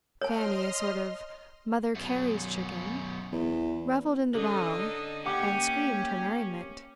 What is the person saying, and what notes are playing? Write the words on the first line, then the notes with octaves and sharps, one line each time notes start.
Fanny, a sort of Mother Cary's chicken, revelled in the row, and screamed her merriment.
C#5 D#5 A5 C6 F6
F#2 B2
E2
D3 C#4 D#4 A4 D#5
A#3 C#4 G4 F#5 D6